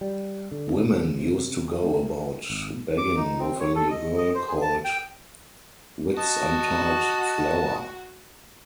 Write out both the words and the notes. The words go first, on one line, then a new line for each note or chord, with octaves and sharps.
Women used to go about begging with a little girl called Whitsuntide Flower.
G3
D3
C#3
C3
A3
G#1
D6
D#4
C4
C#5
A4
D#5
D#5
C5
G#4
A5
G5
F#4 D#5 A5